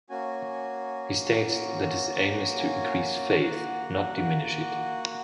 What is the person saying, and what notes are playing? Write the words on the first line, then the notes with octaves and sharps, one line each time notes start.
He states that his aim is to increase faith, not diminish it.
A#3 C#4 F#4 G#5
G#5
A#3 F#4 F#5